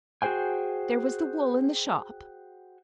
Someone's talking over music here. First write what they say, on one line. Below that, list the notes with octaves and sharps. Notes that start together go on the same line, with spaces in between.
There was the wool in the shop.
F#4 G#4 C5 G5 G#5